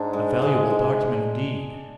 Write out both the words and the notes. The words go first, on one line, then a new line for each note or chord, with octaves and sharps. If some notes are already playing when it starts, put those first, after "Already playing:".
'A valuable document, indeed!'
Already playing: G#2 D4
G#3
G#3
G#3